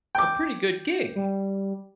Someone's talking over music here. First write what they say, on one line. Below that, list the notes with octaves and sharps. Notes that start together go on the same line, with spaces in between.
a pretty good gig.
G5 D6
G3